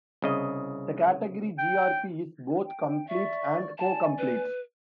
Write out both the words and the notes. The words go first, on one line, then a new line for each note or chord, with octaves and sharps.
The category Grp is both complete and co-complete.
C2 C#3 D#5
G5
G5
D5 E5 C#6
D5 G#5 A5
B4